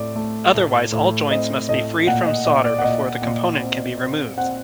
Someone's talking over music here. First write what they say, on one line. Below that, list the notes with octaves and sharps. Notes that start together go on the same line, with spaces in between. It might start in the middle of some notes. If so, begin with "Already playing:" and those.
Otherwise all joints must be freed from solder before the component can be removed.
Already playing: A2 C4 D5
A3
A2
A2
C4 D#5
A2 D#5
A#2 F#5
D#5
A#2 D#5
D5
F#5
A#2 D#5
A#2
C4
C4
C4 F#5